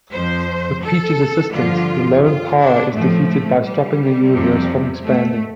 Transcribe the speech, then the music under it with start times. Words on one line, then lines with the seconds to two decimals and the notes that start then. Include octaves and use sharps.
With Peach's assistance, the Lone Power is defeated by stopping the universe from expanding.
0.12 F2 F3 C5
0.82 A4
1.53 G2 D3 F3 F4
2.24 F4
2.58 D4
2.94 A2 F3 A3
3.28 A3
3.64 G3
4.34 F2 C3 F3
5.04 A3